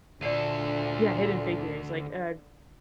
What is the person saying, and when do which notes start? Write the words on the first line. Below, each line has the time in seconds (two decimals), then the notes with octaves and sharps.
Yeah, Hidden Figures, like, uh,
0.21 D2 A#2 D3 A4 D5 C7 D#7